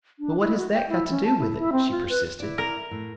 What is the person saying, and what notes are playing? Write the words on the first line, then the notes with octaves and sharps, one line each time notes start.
"But what has that got to do with it?" she persisted.
D4
E4
F#4
G5
E4
C#4
A5
E4
E4
C4
F4
B4
E4 D5
A#4
A2